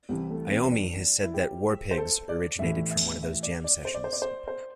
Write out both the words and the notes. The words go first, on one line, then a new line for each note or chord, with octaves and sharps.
Iommi has said that "War Pigs" originated from one of those jam sessions.
C2 C3 E3 C4
A3
C4
D4
E4
G4
C5
A4
D5
A1 A2 E3 E5
E5
E5
D5
D5
C5
D5
C5
D5
C5
C5